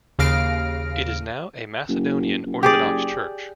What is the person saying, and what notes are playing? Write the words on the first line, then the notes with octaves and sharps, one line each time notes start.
It is now a Macedonian Orthodox Church.
D#2 C#3 F5 F6 A#6 D7
F#1
F#1
G4 G#4 D5